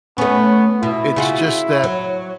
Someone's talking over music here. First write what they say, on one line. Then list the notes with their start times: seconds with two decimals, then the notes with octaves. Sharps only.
It's just that
0.18 A3 B3 C#4
0.83 B2 E4
1.16 C#3 F4 F#4
1.84 F#3